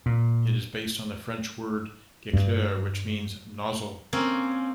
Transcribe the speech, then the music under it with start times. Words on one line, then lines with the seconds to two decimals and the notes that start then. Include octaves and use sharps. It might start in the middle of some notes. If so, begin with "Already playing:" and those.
It is based on the French word gicleur, which means "nozzle".
0.06 A#2
2.33 G2
4.13 A#3 C4 C#4